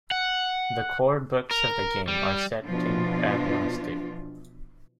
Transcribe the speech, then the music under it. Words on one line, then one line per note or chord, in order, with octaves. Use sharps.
The core books of the game are setting-agnostic.
F#5
A#4
G3
B2 E3 F3 D4 F4